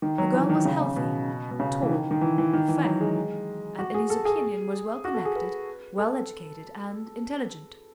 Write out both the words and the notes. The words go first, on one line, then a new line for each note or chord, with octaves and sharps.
The girl was healthy, tall, fair, and in his opinion was well connected, well educated and intelligent.
D#3
F#3
E3
D#3
C#3
C#3
B2
B2
C#3
E3
D#3
D#3
E3
E3
D#3
E3
F#3
G#3
F#4
G#4
A4
G#4
F#4
A4
G#4
B4
A4